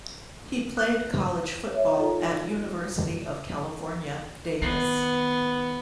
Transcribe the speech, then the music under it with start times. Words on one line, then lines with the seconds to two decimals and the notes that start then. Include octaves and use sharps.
He played college football at University of California, Davis.
0.77 F#6
1.72 C#5 E5
1.97 D#4 F4 A4 A#5
4.62 D#3 B3